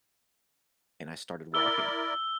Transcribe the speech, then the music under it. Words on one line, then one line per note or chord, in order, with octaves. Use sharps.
and I started walking.
E4 A#4 D5 E6 G7